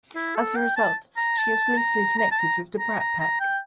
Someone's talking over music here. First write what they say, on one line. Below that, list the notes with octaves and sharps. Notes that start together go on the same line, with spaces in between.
As a result, she is loosely connected with the Brat Pack.
E4
A4
G5
A5
A#5
A5
A#5
A#5
A5
A#5
A#5
A#5
A#5
G5